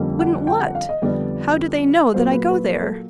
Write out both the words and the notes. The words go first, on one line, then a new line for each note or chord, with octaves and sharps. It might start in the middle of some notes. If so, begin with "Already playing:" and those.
'Wouldn't what?--How do they know that I go there?'
Already playing: F2 D3 G3 A#3 C#4
F#5
G5
F#5
F5
D#5
F2 D3 G3 B3 D5
A#2 F#3 A#3 C5
B4
B4
A#4
A4